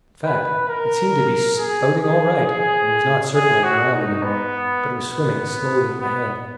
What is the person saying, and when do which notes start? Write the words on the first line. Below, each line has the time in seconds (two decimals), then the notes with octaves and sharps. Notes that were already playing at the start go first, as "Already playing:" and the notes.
In fact, it seemed to be spouting all right, and was not circling around any more, but was swimming slowly ahead.
0.25 B4
0.69 A#4
1.56 G#4
2.01 G#4
2.45 G#4
3.34 G#4
3.63 F#4
3.94 D#4
4.23 B3
5.12 B3
5.99 B3